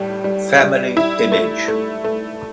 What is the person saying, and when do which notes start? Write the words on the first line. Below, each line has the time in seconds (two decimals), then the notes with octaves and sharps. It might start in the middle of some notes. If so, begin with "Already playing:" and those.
Family image.
Already playing: A2 G3
0.24 G3
0.61 G3
0.97 E4
1.32 A3
1.68 A3
2.04 A3